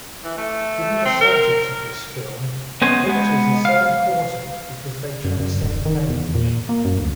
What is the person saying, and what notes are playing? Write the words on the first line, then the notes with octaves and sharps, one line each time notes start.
Given the subject of this film, pictures are so important because they transcend language.
E3
A3
C4
A#4
B3 C#4 G#4 C5 D#5 G#5
G#3 B3
F5
F#2
F#2
D1
D#3
E2
A#2
A#3
F#2
D2